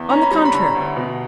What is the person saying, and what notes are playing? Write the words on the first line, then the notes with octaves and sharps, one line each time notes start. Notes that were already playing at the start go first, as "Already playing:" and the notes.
On the contrary.
Already playing: E2
C#4 A#5
B5
G3 A#5
B5
D3 A#5
D2
B2